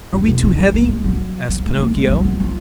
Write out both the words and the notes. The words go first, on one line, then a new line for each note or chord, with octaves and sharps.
"Are we too heavy?" asked Pinocchio.
F2
B2
D#3
F#3
A#3
G#3
F#3
F#3
G#3
A#3
G#3
F#3
F#3
F3